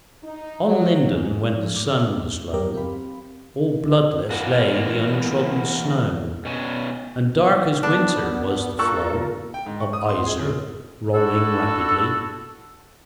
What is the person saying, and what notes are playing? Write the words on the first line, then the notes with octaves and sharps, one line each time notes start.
On Linden, when the sun was low, All bloodless lay the untrodden snow; And dark as winter was the flow Of Iser, rolling rapidly.
D#4
F#3
G#2
F3
D6
F#2 F#3 G4 A#4 G5 D6
C4 G4 F5 B5
E3 A#3 F#4
B2 C#4
B3 D4
A#3 F4 A4 A#4 C#6 E6 F#6
G5
G#2
C#6
D#6
C6
G#4
C#3
D4 E4 F#4 A4